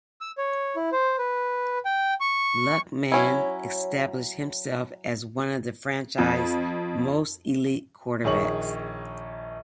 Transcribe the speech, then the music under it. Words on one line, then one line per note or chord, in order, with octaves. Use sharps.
Luckman established himself as one of the franchise's most elite quarterbacks.
E6
C#5
E4
C5
B4
G5
C#6
F#3 C#4 E4
F2
A#1 D#3 G#4 C#5 C#6 F#7